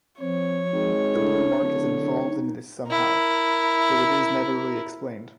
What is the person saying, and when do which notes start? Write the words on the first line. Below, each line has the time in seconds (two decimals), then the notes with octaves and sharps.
The blue mark is involved in this somehow, though it is never really explained.
0.20 F3 C4 C#5
0.72 G#1 G#3
1.16 A2 D4
1.62 D1 D3
2.23 D#4
2.87 E4 A#4